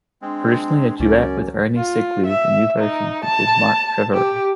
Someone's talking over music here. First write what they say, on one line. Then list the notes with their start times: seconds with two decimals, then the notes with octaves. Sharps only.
Originally a duet with Ernie Sigley, the new version features Mark Trevorrow.
0.22 G#3 C4 D4
1.00 C#2 F#2 C#4 D5
1.77 F4
2.26 E5
2.79 D#4
3.25 A5
4.13 G4